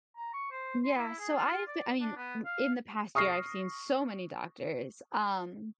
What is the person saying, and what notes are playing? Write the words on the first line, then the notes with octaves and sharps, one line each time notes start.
Yeah, so I've I mean, m in the past year, I've seen so many doctors, um,
A#5
C#6
C5
C6
E4
G#4
F4
D5
D4
B3
F5
C#6 D#6 F6 A#6 C7